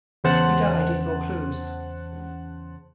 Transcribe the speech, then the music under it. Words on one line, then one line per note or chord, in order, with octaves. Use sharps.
He died in Vaucluse.
E2 C#3 C5 F#5 A5 F#6